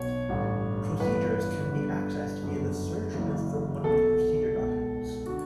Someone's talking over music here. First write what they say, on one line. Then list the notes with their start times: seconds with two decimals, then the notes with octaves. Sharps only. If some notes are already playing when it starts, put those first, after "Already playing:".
Procedures can be accessed via the search or from one of the procedure documents.
Already playing: B1 B2 C#5
0.29 A1 G2 D3
1.00 G1 G2 E3 B4
1.71 G1 G2 D3
2.42 G1 F#2 D3
3.13 F#1 F#2 C#3 E3
3.84 B1 B2 A4
4.54 C#2 B2
5.26 D3 F#4